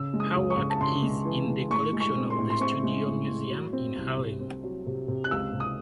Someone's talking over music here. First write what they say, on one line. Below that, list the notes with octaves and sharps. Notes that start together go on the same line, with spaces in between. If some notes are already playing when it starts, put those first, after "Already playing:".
Her work is in the collection of the Studio Museum in Harlem.
Already playing: C#3 E6
G#3
D#6
C#2
C#6
C#3
A5
C#3 C6
G#3
E3
G#3
A2 C#6
G#3
C#6
C4
C6
A2
C6
C4 C#6
G#3
A2
A2
F#3
C4
C2
C3
C4
F#3
C3
C3
F#6
C#2 E6
C3
D#6